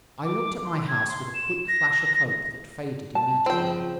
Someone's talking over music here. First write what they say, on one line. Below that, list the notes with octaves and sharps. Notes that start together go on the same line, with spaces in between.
I looked at my house with a quick flash of hope that faded immediately.
D6
C6
G#6
C6
E7
A#6
A5
C#3 F3 C4 G5